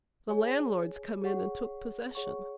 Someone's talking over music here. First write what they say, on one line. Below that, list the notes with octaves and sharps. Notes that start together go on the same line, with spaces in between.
The landlord's come in and took possession.
G#4 C#5 G#5
G#4 C#5 F#5 C#6
G#4 C#5 F#5 C#6